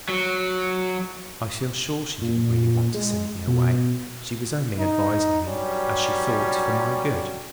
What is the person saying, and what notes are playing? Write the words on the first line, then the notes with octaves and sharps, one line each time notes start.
I feel sure she didn't really want to send me away: she was only advising me, as she thought, for my good.
F#3
A#2
G#3
B2
D#4
G2 F#3 G3 C#4